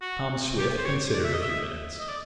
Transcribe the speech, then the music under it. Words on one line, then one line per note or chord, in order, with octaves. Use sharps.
Tom Swift considered a few minutes.
F#4
G4
C5
C#5
D5
E5
D#5
E5
D#5
D5